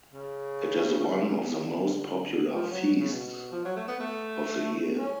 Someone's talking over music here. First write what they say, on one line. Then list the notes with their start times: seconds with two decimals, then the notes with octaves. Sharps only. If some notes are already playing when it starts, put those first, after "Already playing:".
It is one of the most popular feasts of the year.
0.13 C#3
1.57 D3
2.55 F3
2.71 F#3
2.88 B2
2.99 C#3
3.12 B2
3.52 F3
3.65 F#3
3.76 A3
3.88 B3
4.00 A3
4.98 C#4